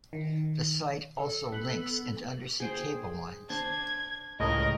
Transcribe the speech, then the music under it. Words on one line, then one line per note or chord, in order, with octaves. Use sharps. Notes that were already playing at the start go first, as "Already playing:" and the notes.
The site also links into undersea cable lines.
D#3
A4
B3 F#7
G#4 C5 G5
D4 C5 G#6
C#2 A2 C#3 A#4 D#5